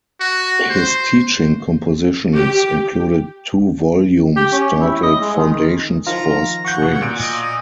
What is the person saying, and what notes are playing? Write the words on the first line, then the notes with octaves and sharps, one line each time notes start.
His teaching compositions included two volumes titled "Foundations for Strings".
F#4
C5
G4
G4
C#4
E4
D#5
G#3
D#3
D#3 F3 F4 A#5
F#5 C#6 G6
B2
A#2 D7
D#5
D#5